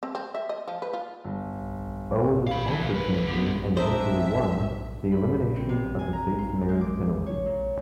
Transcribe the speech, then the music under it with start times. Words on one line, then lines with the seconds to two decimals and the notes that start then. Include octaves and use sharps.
Owens also championed, and eventually won, the elimination of the state's marriage penalty.
0.03 C4
0.15 C4
0.35 E5
0.49 D#5
0.68 F3
0.82 B4
0.93 F4
1.24 G1
2.47 F5 B5
2.67 E2 E3
2.81 A#2
2.95 D2 B4
3.26 D3 B3
3.77 G#3 A#3 C4 D4 A#4 C5 D#5 E5
5.12 B5
5.56 C4
5.69 C3
5.99 G#5
6.13 A#5
6.38 F4
6.69 G#3
6.81 D6
7.26 C#5
7.46 A#2